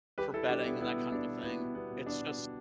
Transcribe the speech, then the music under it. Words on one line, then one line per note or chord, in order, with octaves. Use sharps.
For betting and that kind of a thing. It's just
G3 G4 B4
G3 E4 A4
G3 D4 G4
B2 B3 E4
G3 B3 E4
B2
G3 D4
B2
B2 B3 E4
B2
G3 B3
B2
B2 D4
B2
B2